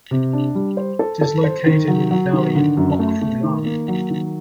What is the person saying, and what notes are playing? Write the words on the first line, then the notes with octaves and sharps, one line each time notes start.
It is located in a valley in Pok Fu Lam.
C3
D4
G3
C5
A4
A4
C5
D#3
F#3
F#3
D#3
D3
F#2
A3
A3
D#3
A#3
F#3
D#3